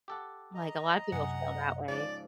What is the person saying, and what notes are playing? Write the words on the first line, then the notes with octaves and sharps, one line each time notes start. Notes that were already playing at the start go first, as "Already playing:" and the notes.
Like, a lot of people feel that way.
G4 A4 F#5
D#5 A#5
F#2 C3 G#4 F#5
G#2 C#3 F3 D5